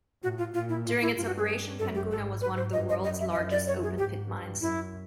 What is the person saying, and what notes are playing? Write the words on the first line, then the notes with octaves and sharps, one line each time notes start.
During its operation Panguna was one of the world's largest open-pit mines.
A2 F#4
F4
A#2 F4
E4
A2 F4
E4
G2 F4
F#4
G#4
F#2 A4
G4
G#2 A4
G#2 B4
C5
G2 D#5
D#5
F#2 D#5
E5
E5
F#2 D#5
D5
C#5
G#4
G#2 G4
G2
F#2 E4